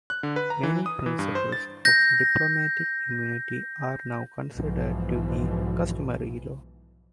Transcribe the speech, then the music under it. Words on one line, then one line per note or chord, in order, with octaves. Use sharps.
Many principles of diplomatic immunity are now considered to be customary law.
F#6
D3
B4
A#5
E3
D#6
E3
G2
C5
A6
G6 A#6
B1 G#2 B2 E3 F3